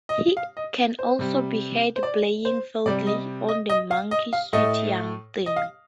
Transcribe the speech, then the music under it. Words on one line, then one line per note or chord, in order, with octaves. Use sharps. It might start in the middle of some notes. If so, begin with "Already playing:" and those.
He can also be heard playing fiddle on the Monkees' "Sweet Young Thing".
D#5
F5
D#5
C5
C3 G3
C5
D5
C5
C3 G3 D5
D#5
D#5
D#5
F5
D#5
F5
A2 A3 D#5
D#5
F5